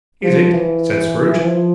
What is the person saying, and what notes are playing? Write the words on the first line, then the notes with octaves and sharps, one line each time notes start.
'Is it?' said Scrooge.
F3
E3
F3